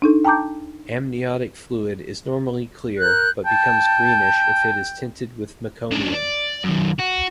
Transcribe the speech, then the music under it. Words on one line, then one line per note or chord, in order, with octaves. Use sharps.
Amniotic fluid is normally clear, but becomes greenish if it is tinted with meconium.
D4 D#4 A4
G5 A5 A#5 D6 G6
A#4 F#6 G6
G5 A5
C#4 D4
D5
F#2 D#3
F#4